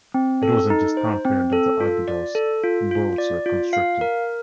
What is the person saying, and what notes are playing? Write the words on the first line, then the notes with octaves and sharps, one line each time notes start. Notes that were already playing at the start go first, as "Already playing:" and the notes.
It was in this time period that the Abydos boats were constructed.
C4
A4
D#4
C5
C4
A4
F4
D5
A4
F4
F4
D5
F4
F5
A#4